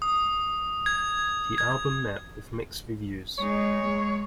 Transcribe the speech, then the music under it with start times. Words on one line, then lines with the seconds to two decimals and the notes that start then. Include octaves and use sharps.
The album met with mixed reviews.
0.02 D#6
0.86 G#6
1.58 G#6
3.38 G#3 D#4 C#5
3.82 G#3